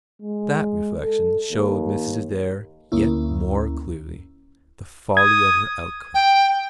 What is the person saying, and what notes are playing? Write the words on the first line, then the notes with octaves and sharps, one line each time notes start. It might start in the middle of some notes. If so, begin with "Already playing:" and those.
That reflection showed Mrs. Adair yet more clearly the folly of her outcry.
G#3
A4
D#2
D2 A#3 C#4 E4
D#6 G#6
G5